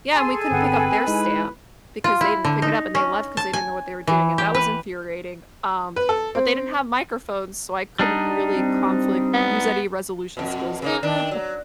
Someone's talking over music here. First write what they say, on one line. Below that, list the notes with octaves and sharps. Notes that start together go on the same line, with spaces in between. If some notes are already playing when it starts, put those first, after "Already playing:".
yeah, and we couldn't pick up their stamp, because they didn't pick it up, and they left 'cause they didn't know what they were doing, and that was infuriating, um, but they didn't have microphones, so I couldn't really conflict use any resolution skills with the
G#4 A4 G#5 C6
G1 C4 B4 F#5
G#3 D#4 E4
F4
E4
D3
D#4
C#4
A5
G#5
E3
G4
B4
B4
A4
C4
G3 D4 D#4
C4
B3
F2 B2
C#3 A#3 D#4
D#3 D4
F#3